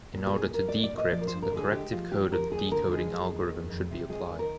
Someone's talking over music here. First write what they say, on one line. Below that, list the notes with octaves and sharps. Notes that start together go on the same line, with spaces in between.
In order to decrypt, the corrective code of the decoding algorithm should be applied.
A#2
G4
G3 G#4
G#4
G3 A#4
A#2 D5
D5
A#2
D#5
F3 D5
A#4
C5
G2
A#4
D3 G#4
G#3 G4
F3 F4
G2 G4
F3 A#4
D#2 G#4
D3 A#4
G#3 G#4
F3
D#2
D#3
F2
C3
G#3 G#4
D#3
A#4